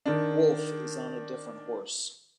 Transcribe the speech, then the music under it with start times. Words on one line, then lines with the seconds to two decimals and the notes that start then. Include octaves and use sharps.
Woolf is on a different horse.
0.06 D#3 D4